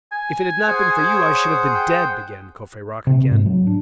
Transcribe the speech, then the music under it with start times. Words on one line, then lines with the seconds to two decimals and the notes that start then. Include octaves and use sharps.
"If it had not been for you, I should have been dead!" began Courfeyrac again.
0.12 G#5
0.67 G#4 C5 F#5
1.15 C#5
1.75 G5
3.07 C3
3.31 G#2
3.46 F#3
3.67 D4